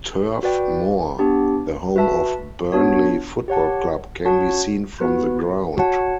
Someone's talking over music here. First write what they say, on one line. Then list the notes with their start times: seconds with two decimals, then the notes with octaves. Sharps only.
Turf Moor, the home of Burnley Football Club, can be seen from the ground.
0.43 F#4 B4 D5 G5
1.19 B3 D4 G4
1.96 F#4 B4 E5 A5
2.72 B3 D4 F#4 C#5
3.48 G4 C#5 F#5 A5
4.25 C#4 F#4 C#5 F#5 A5
5.01 B3 F#4 B4
5.77 F#4 C#5 F#5 A5